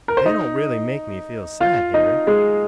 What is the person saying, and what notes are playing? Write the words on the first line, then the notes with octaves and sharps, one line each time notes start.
But they don't really make me feel sad, Harry.
A#4
C5
D#4 D#5
F4 F5
D#4 D#5
G#3 G#4